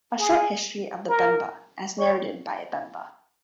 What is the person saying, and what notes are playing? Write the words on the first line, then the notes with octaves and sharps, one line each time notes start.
"A Short history of the Bemba: As narrated by a Bemba".
G#4
A#4
C#5